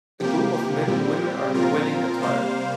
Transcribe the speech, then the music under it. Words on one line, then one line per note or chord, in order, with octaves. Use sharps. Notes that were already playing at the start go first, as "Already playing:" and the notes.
A group of men and women are in wedding attire.
C3 F3 A#3 G4
G4
A#2 G3 C4
A#2 F3 C4 F4 A#4
C3 G3 A#3 C5 F5